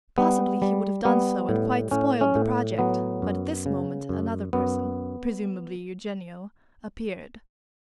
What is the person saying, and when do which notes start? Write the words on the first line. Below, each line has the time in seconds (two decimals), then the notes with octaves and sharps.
Possibly he would have done so and quite spoiled the project, but at this moment another person, presumably Eugenio, appeared.
0.18 G3 B3
0.62 G3
1.05 G3 B3
1.49 A2
1.91 A2 C#4
2.21 C#4
2.35 A2
2.79 F#3 B3
3.22 F#2
3.66 C#3
4.09 F#2
4.53 F#2 B3